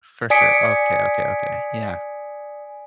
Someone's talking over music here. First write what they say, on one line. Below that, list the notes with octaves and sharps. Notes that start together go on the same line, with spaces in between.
For sure. Okay, okay, okay. Yeah.
D5 G#5 D#6 B6 C#7 D7